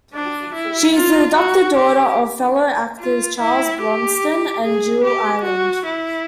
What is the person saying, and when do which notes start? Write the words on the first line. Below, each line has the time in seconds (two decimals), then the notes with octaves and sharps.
She is the adopted daughter of fellow actors Charles Bronson and Jill Ireland.
0.13 D4
0.54 E4
0.95 F4
1.35 F#4
1.76 G4
2.99 F4
3.40 E4
3.81 G4
4.63 G#4
5.04 G4
5.44 F#4
5.85 E4